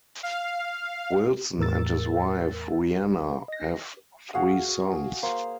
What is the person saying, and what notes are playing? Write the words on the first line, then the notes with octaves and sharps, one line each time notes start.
Wilson and his wife Reanna have three sons.
F5
E2 A2 A#4 E6 A6
D#5 A#6
F#4 G#4 F5 F#5
A#3 C5 F5